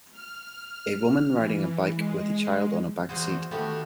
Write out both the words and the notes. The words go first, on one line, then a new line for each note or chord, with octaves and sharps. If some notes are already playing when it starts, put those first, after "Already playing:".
A woman riding a bike with a child on a backseat.
F6
E3
G#3
E2 F#4 G#4 C5
D#3 A3 B3 F#4 G4 G5